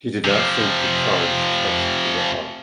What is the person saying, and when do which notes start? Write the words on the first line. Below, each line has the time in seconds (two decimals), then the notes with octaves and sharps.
He did not think the charge touched the heart.
0.25 C3 F3